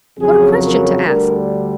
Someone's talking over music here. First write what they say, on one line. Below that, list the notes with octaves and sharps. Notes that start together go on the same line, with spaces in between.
What a question to ask!
F2 C#3 F#3 G#4
A#4
D2 D3 G3 A#4